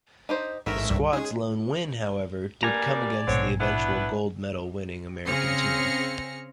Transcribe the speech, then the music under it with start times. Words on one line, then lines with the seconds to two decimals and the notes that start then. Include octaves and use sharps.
The squad's lone win, however, did come against the eventual gold medal-winning American team.
0.29 D4 D#4 G4 C5
0.66 A1 G#2 A3 A#4 E5
0.90 C2 G2 G3
1.13 G#3 C#4 D#4 G#4
2.63 G2 G3 A#3 D5 G#5 A#5
3.28 A#1 G#2 B2 D3 C4 C#5
3.60 B3 D4 E4 B4
5.26 C#3 C4 G#4 F6 A#6 C#7